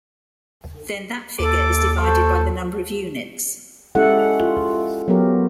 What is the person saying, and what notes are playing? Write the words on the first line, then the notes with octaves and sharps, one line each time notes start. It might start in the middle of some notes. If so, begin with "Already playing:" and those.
Then that figure is divided by the number of units.
D#2 A4 D6
A4 C5 C#6
G#3 C#4 E4 G4 A4 F#5
F4
F#3 B3 G4 A#4